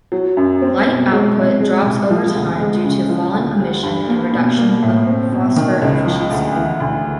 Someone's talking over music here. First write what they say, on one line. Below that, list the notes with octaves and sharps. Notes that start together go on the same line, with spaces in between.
Light output drops over time due to falling emission and reduction of phosphor efficiency.
F#3
F#2
C4
B2
G#3
C3
G#3
C2
F3
D2
G#3
C#3
F3
D2
G3
G2
A#3
B2
A#3
A2
C4
B2
D#3
C#2
F3
D2
E3
D2